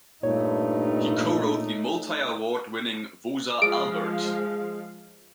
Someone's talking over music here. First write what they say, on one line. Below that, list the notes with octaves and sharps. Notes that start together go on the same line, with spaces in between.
He co-wrote the multi-award winning Woza Albert!
G2 A#2 A3 D#4 C#5
F3 G#3 G#4 F5 D7